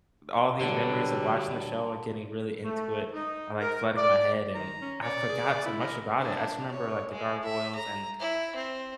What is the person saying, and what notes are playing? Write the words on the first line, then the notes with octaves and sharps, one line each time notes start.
all these memories of watching the show and getting really into it are, like, flooding my head, and I forgot so much about it. I just remember, like, the gargoyles and,
D3 F#3 G3 D4 A4 B4
A3
D#4
A#4
D5
D#3 A#5
C#4
C#5 D5
G#4
E4
A#4
D4
C#5
G#3
E5
A#5
E4
C4